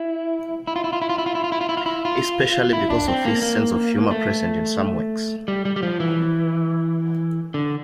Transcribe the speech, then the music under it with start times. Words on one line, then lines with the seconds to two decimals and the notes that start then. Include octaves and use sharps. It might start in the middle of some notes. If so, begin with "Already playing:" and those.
Especially because of his sense of humor present in some works.
Already playing: E4
0.67 E4
0.76 F4
0.84 E4
0.93 F4
1.02 E4
1.09 F4
1.18 E4
1.26 F4
1.35 E4
1.44 F4
1.52 E4
1.61 F4
1.69 E4
1.77 F4
1.86 E4
2.05 F4
2.73 E4
2.90 D4
3.08 C4
3.25 A#3
3.42 A#3
4.11 A3
5.48 G3
5.65 G3
5.76 G3
5.83 F3
6.00 E3
7.54 D3